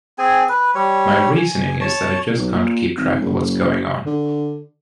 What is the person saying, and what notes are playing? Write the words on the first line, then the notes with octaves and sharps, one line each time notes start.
My reasoning is that I just can't keep track of what's going on.
C4 G#4 G#5
B4
G3 C#5
G#5
C#5 A5
B1
A#2
G#1
F#1
D3